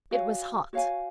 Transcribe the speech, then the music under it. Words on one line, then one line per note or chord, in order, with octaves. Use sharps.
It was hot.
F#4 C#5 F5 G#5
F#4 C#5 F5 G#5